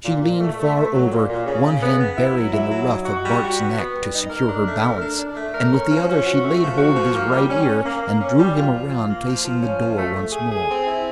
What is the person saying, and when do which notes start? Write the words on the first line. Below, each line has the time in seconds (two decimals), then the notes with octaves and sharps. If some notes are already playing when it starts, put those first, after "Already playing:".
She leaned far over, one hand buried in the ruff of Bart's neck to secure her balance, and with the other she laid hold of his right ear and drew him around facing the door once more.
0.05 A#2
0.22 A#2
0.40 A3
0.59 A3
0.76 A3
0.93 F#3
1.11 A#2
1.29 A#2
1.46 C#3
1.64 C#3
1.83 B3
2.00 B3
2.17 E4
2.35 F#3
2.53 E4
2.70 F#3
2.88 D#4
3.06 F#4
3.23 G3
3.42 F#4
3.59 B3
3.77 B3
3.94 G3
4.13 D#4
4.30 A#4
4.48 D4
4.66 A3
4.83 A#4
5.01 D4
5.18 D4
5.36 A3
5.54 A#4
5.72 C#4
5.90 F3
6.07 C#4
6.25 F#4
6.43 A3
6.60 F3
6.78 F#4
6.96 F3
7.14 A#3
7.31 G3
7.50 C#4
7.67 C#4
7.84 A#3
8.02 A#3
8.20 C#4
8.38 G3
8.55 F4
8.73 F3
8.91 F4
9.08 A#3
9.27 F3
9.44 F3
9.62 C#4
9.79 F3
9.97 A3
10.15 A3
10.32 G#4
10.51 G#4
10.69 C4
10.86 E4